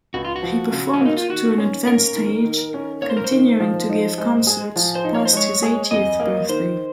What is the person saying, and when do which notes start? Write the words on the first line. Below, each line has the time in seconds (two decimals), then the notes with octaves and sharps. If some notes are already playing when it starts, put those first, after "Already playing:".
He performed to an advanced age, continuing to give concerts past his eightieth birthday.
0.14 C#2 F#4
0.25 F4
0.36 F#4
0.43 F3
0.72 C#3
0.94 C#4
1.01 A#3 D#4
1.17 F4
1.29 D#3 F#4
1.58 C#4
1.87 A#3 A#4
2.16 D#3
2.45 D#3
2.74 C#4
3.02 A#3 C#5
3.10 C5
3.17 A#4
3.24 C5
3.31 D#3
3.60 F3
3.90 D#4
4.18 G#3
4.47 G#4
4.76 F3
4.95 C5
5.04 D#4
5.14 C#5
5.25 C5
5.33 G#3 C#5
5.62 G#4
5.91 F2 D#5
6.20 A#3
6.49 D#3 C5